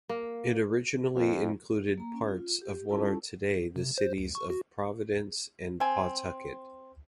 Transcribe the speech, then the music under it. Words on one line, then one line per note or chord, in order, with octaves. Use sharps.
It originally included parts of what are today the cities of Providence and Pawtucket.
A#3
F2
A#3 A#5
C#4
F4
G4
G3 C#4 E4 F4 A4 A5
C3
C5
D2
C#6
F#4
C4 G#5